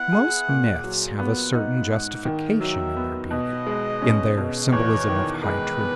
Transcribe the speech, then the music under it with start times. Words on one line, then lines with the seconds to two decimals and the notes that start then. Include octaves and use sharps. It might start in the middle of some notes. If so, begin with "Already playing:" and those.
Most myths have a certain justification in their beauty, in their symbolism of high truth.
Already playing: B3 E4 F#5
0.13 G#4
0.48 A#2
0.84 F#3
1.19 B3 F#5
1.54 D#4
1.90 G#2
2.25 D#3
2.60 F#3 E5
2.96 B3
3.31 B2 D#5
3.67 G#3
4.02 C#4
4.37 B2
4.72 E2 C#5
5.08 D#3
5.44 G#3 B4
5.79 B3